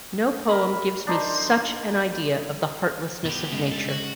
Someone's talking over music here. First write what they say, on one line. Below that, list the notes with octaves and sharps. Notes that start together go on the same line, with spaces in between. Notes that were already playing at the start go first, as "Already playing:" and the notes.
No poem gives me such an idea of the heartlessness of Nature.
A#4 B5
D4 D#4 C5
B3 G4
C#3 G#3
G3 A4
F#4